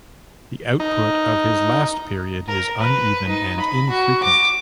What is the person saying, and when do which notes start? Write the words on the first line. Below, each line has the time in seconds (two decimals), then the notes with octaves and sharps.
The output of his last period is uneven and infrequent.
0.80 D#4
2.48 A#4
2.80 B4
3.28 D#4
3.60 B5
3.90 F#4
4.23 D6